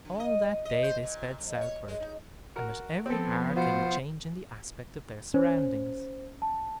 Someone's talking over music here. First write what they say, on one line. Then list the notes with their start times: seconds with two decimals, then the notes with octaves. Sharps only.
All that day they sped southward, and with every hour came a change in the aspect of their surroundings.
0.05 D3
0.20 D#5
0.65 D#5
0.84 C5
1.03 A#2
1.38 F2
1.61 C#5
1.88 G#3
2.00 D#4
2.56 F#4 A#4
3.06 F3 B3 C4 A4
3.56 B2 F4 C5 F#5
5.34 C#4 C5
6.42 A5